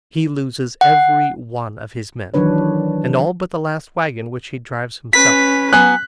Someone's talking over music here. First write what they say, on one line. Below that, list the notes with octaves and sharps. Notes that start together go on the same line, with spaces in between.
He loses every one of his men, and all but the last wagon, which he drives himself.
F#5
D#3 E3 F#3 D4 B4 C#5
C#4 B4 B6
F#3 B3 G#5 F#6